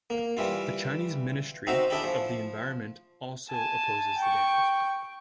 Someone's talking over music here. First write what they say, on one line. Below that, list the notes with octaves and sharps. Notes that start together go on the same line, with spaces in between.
The Chinese Ministry of the Environment also opposes the dams.
A#3
E3 G3 E4 F4
C4 D#4 F#4 C5 E5
D4 E4 G#4 D5 G5 B5
F3
G#5 A5
G5 C#6